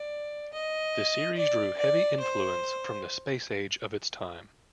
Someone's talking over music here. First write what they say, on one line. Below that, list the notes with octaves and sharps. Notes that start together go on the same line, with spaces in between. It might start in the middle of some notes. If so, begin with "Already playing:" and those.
The series drew heavy influence from the Space Age of its time.
Already playing: D5
D#5
D5
D5
C5